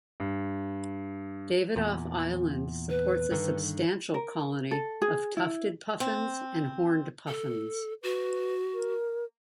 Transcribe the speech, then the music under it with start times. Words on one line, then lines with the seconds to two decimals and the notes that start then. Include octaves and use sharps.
Davidof Island supports a substantial colony of Tufted Puffins and Horned Puffins.
0.20 G2
1.76 E2 A#2
2.90 B4
3.31 G2 D3 D#3
4.14 A#4
4.71 A4
5.02 G#4
5.37 E4
6.00 C4
7.28 A4
8.03 F#4 B4
8.74 A#4